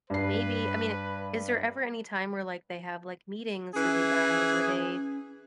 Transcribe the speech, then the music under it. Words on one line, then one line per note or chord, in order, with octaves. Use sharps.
maybe I mean, is there ever any time where, like, they have, like, meetings with you guys or they,
G2 B4 C7
E3 C#4 G#4